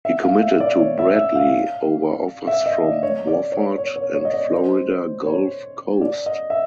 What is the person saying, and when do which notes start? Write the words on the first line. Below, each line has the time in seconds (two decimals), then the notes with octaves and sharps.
He committed to Bradley over offers from Wofford and Florida Gulf Coast.
0.05 E5
0.23 F5
0.42 E5
0.60 D5
0.79 C#5
0.99 E5
1.16 E5
1.35 F5
2.47 E5
2.66 D#5
2.84 D5
3.03 C#5
3.27 D5
3.52 C#5
3.78 C#5
3.96 C#5
4.14 C#5
4.25 D#5
4.34 D5
4.52 C5
5.26 C#5
6.01 D5
6.26 D#5
6.50 E5